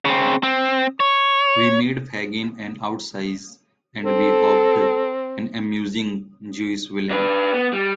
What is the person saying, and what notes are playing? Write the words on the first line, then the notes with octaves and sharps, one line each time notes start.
We made Fagin an outsize and, we hoped, an amusing Jewish villain.
C#3 C4
C4
C#5
C4 A4
D4 B4
B3
G3